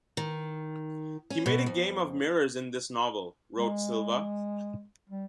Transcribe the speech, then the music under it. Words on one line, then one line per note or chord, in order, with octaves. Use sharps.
"He made a game of mirrors in this novel", wrote Silva.
D#3
C#4
B2
F2
G#3
G3